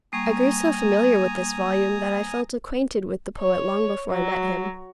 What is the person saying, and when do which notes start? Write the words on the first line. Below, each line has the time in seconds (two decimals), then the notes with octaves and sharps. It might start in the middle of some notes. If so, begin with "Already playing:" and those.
I grew so familiar with this volume that I felt acquainted with the poet long before I met him.
0.13 G3 A#3 G#5 A#5 C#6 D#6
3.39 C#5
4.10 F#3